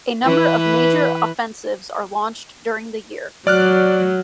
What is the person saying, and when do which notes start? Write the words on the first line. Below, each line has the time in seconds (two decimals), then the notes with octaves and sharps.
A number of major offensives are launched during the year.
0.25 E3 B4
3.47 F#3 D5 F6 F#6